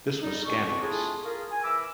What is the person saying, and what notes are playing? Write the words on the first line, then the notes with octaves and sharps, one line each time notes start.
This was scandalous.
G3 D#4
C#2 B2 C4 G4 A4 C#6
A3 D4 E4 F4 G#4
F4 G#4 A#4
G#5
E3 A#4 B5 D6 E6